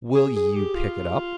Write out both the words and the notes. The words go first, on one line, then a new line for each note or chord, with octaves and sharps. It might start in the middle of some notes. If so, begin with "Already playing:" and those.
'Will you pick it up?'
G#4
G#4
G4
F4